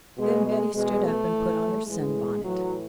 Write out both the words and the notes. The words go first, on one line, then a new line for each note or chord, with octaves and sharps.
Then Betty stood up and put on her sunbonnet.
B2 G#3
G#3
B2 G#3
A3
A2 E3
A2 E3 G#3
A2 E3 F#3